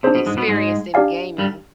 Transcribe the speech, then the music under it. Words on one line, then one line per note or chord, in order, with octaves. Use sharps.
experienced in gaming
C3 D4 G#4 C5
B2
G#2 G#3
B2 B3
G#2 G#3
D4 G4 D5 F5 G#5
G2 G3